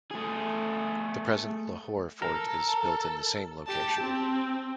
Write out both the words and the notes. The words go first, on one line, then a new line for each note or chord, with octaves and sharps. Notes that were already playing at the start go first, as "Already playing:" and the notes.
The present Lahore Fort is built in the same location.
A3 G#4
A4 A#4
G4 A5
C4